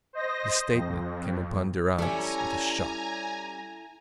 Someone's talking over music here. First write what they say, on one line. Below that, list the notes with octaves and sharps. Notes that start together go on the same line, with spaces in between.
The statement came upon Durrance with a shock.
C5 D#5 A#6
F2
G3 C#4 E4 A4 G#5 A#5